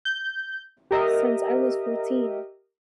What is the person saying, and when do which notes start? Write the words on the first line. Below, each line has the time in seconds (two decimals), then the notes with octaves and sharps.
Since I was fourteen.
0.05 G6
0.91 G4 A#4 D#5 E5